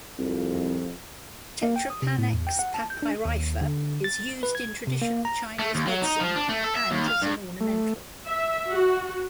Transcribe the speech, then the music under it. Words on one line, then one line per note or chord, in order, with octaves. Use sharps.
"Tetrapanax papyrifer" is used in traditional Chinese medicine and as an ornamental.
C2 F2
A#3
G5
D#6
C3
A2
E2
G5
F#5
A5
G6
D4
D#2
D3
A6
B4
G#6
C3
A#3
A#5
A3
D#2
F#3
D#4
F3
D4
A3
A4
E5
D#2
F5
G2
A3
E5
F#4